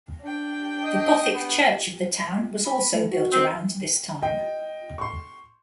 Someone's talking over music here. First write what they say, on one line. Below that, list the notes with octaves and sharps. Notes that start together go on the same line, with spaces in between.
The Gothic church of the town was also built around this time.
D4 G5
D#5
B3
B5
A3
F#4
C4
D#5 G5
C6 C#6